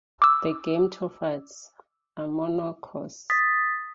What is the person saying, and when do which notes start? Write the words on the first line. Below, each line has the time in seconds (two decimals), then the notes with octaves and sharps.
The gametophytes are monoicous.
0.22 D6 E6
3.30 D#6 A6 B6